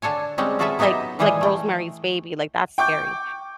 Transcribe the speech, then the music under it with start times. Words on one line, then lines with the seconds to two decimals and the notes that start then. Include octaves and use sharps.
like like, Rosemary's Baby, like, that's scary,
0.02 D3 D4 A4 C#5 G#5
0.38 G3 G#3 C4 C#4
0.59 F4 F#4 G#4 A4 B4 E5
0.79 F#3 B3 D#4 G4 D#5 E5
1.19 A#2 E3 G3 G#3 G#4 G5
1.41 A3 G5
2.78 G5 C#6 D6 G6